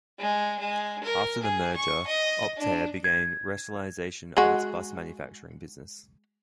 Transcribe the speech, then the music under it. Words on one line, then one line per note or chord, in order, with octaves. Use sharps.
After the merger, Optare began rationalisation of its bus manufacturing business.
G#3
G#3
A#4
G#4
C#6
D#5
D4
G#6
G#3 F#4